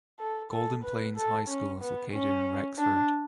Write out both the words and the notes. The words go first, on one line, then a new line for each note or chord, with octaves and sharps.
Golden Plains High School is located in Rexford.
A4
A4
B4
A4
C#4
B3
C#4
D4